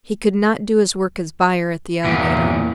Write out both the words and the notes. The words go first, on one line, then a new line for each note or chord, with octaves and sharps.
He could not do his work as buyer at the elevator.
E2 A#2